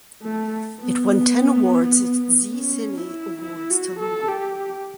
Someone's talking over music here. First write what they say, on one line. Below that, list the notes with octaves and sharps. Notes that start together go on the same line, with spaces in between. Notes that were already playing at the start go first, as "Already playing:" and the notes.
It won ten awards at Zee Cine Awards Telugu.
A3
B3
C#4
E4
E4
F#4
A4
G4